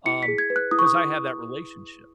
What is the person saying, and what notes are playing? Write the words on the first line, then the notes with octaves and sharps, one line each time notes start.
um, 'cause I have that relationship.
E4 C#7
B6
G#4
G#6
B4
F#6
E4 D#6
C#6
D#6
E4